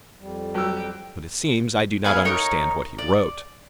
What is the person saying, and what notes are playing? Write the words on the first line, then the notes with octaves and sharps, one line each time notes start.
But it seems I do not understand what he wrote.
F2 G3
F#3 G4 E6
B3 G#4 B4 F5
D#4 A#4 C#5
D5